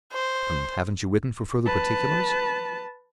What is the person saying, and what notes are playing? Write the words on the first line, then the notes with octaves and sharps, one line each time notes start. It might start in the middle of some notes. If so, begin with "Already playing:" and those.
"And haven't you written for further particulars?"
C5
B4 A5